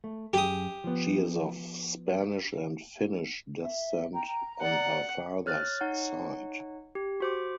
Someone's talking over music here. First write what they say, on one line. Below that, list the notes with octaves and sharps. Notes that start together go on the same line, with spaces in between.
She is of Spanish and Finnish descent on her father's side.
A3
F#2 G4 G#4 D#6
F3 B3
E5
G5 A#5
D5 F#5
C#5 F6 F#6 A6
D#4 C#5 F#5
G4
F#4 C5 D6